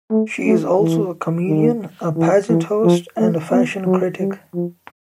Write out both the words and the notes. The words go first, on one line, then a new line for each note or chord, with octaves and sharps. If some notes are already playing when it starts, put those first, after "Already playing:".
She is also a comedian, a pageant host and a fashion critic.
A3
A3
E3
D#3
E3
E3
F3
A3
B3
F#3
G3
F3